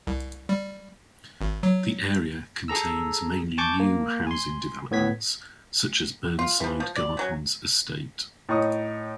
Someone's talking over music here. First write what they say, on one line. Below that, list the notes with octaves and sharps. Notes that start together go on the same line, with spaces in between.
The area contains mainly new housing developments such as Burnside Gardens Estate.
C2
G3
G#1
F#3
G#4 A4 A#5 E6
G#5 A5 C#6 D6 G6
A#3
G#5 C6
A2 B3 G#6 B6
F4
E3 F3
F3
D5
C#3 F#3 G#5
A2 D#4 C#6 D#6